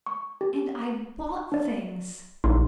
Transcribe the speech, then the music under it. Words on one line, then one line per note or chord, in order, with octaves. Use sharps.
And I bought things!
C#6
G4
D4 D5
A#1 D#4 E4 C6